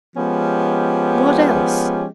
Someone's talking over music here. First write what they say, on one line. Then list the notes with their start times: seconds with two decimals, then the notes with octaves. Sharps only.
"What else?"
0.17 F3 G#3 B3 C#4 G4